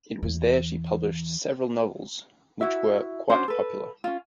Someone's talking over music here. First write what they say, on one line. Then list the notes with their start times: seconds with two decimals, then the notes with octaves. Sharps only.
It was there she published several novels which were quite popular.
0.23 E2 E3
2.61 E4 F#4 E5
3.30 C#4 D4 F#4 C5
3.48 A4 B4
4.04 C#4 F4